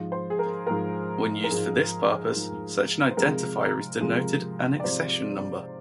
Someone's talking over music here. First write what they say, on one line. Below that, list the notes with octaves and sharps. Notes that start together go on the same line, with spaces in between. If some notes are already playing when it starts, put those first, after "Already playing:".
When used for this purpose, such an identifier is denoted an accession number.
Already playing: G#2 F3 G#3
C5
G#4
A#4
G#2 F3 G#3 A#4
A#4
G#2 F3 G#3 G#4
G#2 F3 G#3
C5
C3 F3 G#3 A#4
C3 F3 G#3
D5
C3 F3 G#3 C5